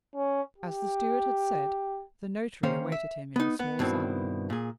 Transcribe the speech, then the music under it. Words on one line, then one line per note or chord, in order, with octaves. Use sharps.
As the steward had said, the notary awaited him in the small salon.
C#4
G4
D#3 A#3 C#4 C5 F5
E5
B3 D#4
B3 F#5
G2 B2 D#3 C4 E4
A#2 G#4